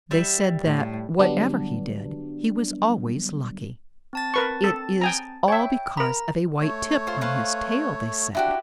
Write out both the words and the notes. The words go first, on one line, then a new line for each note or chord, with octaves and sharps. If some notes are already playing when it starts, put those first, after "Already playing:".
They said that, whatever he did, he was always lucky. "It is all because of a white tip on his tail," they said.
G3 E5
A2
D3 F#3 G3 B3 D4
C4 A5 A6
A#4 B4 C#6
A4
G5 G#5 A#5
C#5 E5 G5
A#4 A#5 B5
A3 C#5
F4 C5
B4 C5 F5
D4 E4 F#4 G4